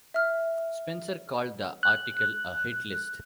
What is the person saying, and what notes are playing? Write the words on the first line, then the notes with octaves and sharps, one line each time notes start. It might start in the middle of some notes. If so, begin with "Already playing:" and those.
Spencer called the article a "hit list".
E5 F6
F#6